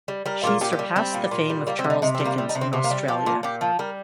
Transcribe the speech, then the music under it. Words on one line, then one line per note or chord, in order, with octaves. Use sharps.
She surpassed the fame of Charles Dickens in Australia.
G3
G3 A#4
A#2 A#4
A#2 G4
G4
G3
G3 C4
A#2
A#2
G3
G3 A#3
C4
C3
D#4
C3 D#4
C4
G3
A#3
G3 C4
D#4
C3
C4
C3 C4
A#3
G3
F3 G4
A#2 A#4
A#2 G4
F3
G3 A#4